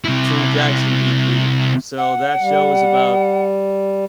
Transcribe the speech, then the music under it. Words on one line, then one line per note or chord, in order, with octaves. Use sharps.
True Jackson, VP, so that show is about
C3 E4
F#5
G3